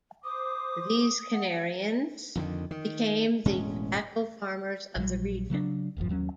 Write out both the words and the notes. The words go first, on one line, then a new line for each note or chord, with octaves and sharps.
These Canarians became the tobacco farmers of the region.
C5 D6 D#6
F#5
F2 D3 D#3
D#3
E1 A2 G#3 C#4
A#1 F#3 G3
C#3 F#3 A3 D4
D1 G#1 F#2 F3
D#2 F#3 G3 C#4